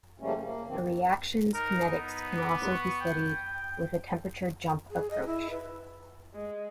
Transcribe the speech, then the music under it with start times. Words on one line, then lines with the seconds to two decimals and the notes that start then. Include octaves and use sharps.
A reaction's kinetics can also be studied with a temperature jump approach.
0.20 C#3 F3 G3 A3 A#3 C#4
0.42 A#3
0.67 B2 D#3 F3 A#3 C4
1.54 D#4 A#4
1.85 B3
2.38 D6
2.72 C#6
3.00 G5
4.90 G#4
5.11 D#5
5.25 E4
5.50 B4
6.35 G#3